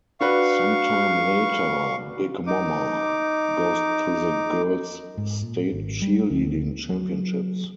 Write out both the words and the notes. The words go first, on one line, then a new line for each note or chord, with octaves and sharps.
Sometime later, Big Momma goes to the girls' state cheerleading championships.
D4 F#4 B4 F5 C#6
D#4 D6
G#2
A#2
G#1
G3
D2
F#3